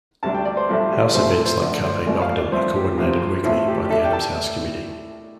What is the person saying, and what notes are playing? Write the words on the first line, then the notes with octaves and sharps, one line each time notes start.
House events like Carpe Noctem are coordinated weekly by the Adams House Committee.
D2 C3 G3 D4 A5
G5
D5
C5
A1 G2 F3 A3 D4 A4
F4
G4
C2 C3 F3 A3 C4 C5
A4
C5
F2 D3 A3 D4 D5
A4
C5
C2 C3 F3 D5
F5
D5
G2 F3 A3 C4 C5
G4
F2 C3 F3 C4 F4
A1 A2 A3 C4 F4
G4
G4
A2 A3 D4 A4
G5
A5